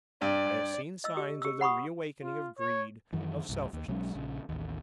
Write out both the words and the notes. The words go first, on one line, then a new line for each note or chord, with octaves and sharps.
I have seen signs of the reawakening of greed, of selfishness.
G2 D5
D#5 E6
G4
G4 E6
F#5 B5 C#6 D#6
F4
C#5
F#2 D#3 E3
C2 G2
D#2
B1 F#3 G#3 C#4
A#1 C#3
A1 D#2